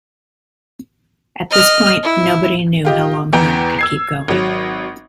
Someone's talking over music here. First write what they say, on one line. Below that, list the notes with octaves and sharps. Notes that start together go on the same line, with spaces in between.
At this point, nobody knew how long Hearne could keep going.
D#5 F6
E4
F4 G4 D#5
E2 E3 B3 G5 A#5 D7
E6 G#6 C7
G#1 F#3